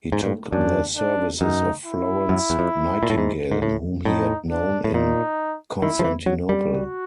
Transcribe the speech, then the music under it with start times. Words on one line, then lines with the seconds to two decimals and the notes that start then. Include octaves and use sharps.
He took the services of Florence Nightingale whom he had known in Constantinople.
0.12 G#2
0.23 G2
0.52 F#2 D4
0.97 D4
1.41 F#2 D#4
1.86 E4
2.29 F#2
2.50 E2
2.59 F2
3.03 A#2
3.10 A2
3.18 G#2
3.52 G#2
3.62 A2
4.05 A2 D#4
4.50 D4
4.84 A2
4.94 A#2 D#4
5.82 D#3 E4
5.99 F3
6.04 E3
6.26 F#3
6.49 G3
6.71 F#4